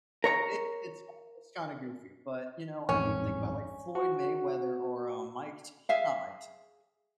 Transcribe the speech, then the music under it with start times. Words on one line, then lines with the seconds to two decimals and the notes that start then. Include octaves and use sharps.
it it's a it's kind of goofy, but, you know, I mean, think about, like, Floyd Mayweather or, um, Mike T not Mike T
0.24 A#4 C#5 A#5
2.89 A1 F2 G#2 C#4
3.95 F#4
5.89 G#4 E5 F5